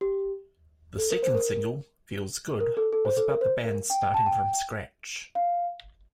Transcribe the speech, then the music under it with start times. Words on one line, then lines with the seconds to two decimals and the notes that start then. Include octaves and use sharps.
The second single "Feels Good" was about the band "starting from scratch".
0.01 G4
0.98 A4
1.11 A#4
1.23 C5
1.35 A#4
2.60 A#4
2.77 A4
2.93 A4
3.05 C5
3.17 A4
3.29 A#4
3.41 C5
3.65 A#4
3.90 G5
4.02 G5
4.14 A5
4.26 G5
5.35 F5